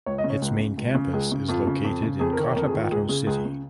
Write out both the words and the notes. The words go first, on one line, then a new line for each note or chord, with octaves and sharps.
Its main campus is located in Cotabato City.
C#2 C#5
D#5
C#3
C#5
C#2
C#3
C#2
C#3
C#2 G#4
C#3
F2 F4
C#3
F2
C#3
F2 G#4
A#4
D#3
C#5
F2 A#4
G#4
D#3
F4
C#2 G#4
C#3 G#4
C#2 G#4
C#3